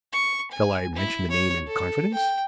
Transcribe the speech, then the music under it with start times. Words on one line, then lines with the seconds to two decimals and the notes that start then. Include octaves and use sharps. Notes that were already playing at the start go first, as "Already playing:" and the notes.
Shall I mention the name in confidence?
0.12 C#6
0.51 G#5
0.95 E4
1.30 C#5
1.67 A4
2.14 G5